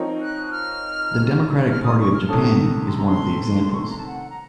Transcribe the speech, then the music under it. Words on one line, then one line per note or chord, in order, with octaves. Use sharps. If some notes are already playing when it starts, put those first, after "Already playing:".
The Democratic Party of Japan is one of the examples.
Already playing: F3 C4 D#4 A#4 C#5
F#6
F6
F6
D#6
C#6
F6
C3 D#3 A3 C#4 A4 D#6
C6
A#5
C6
C#6
C6
A#5
A5
F#5
A#5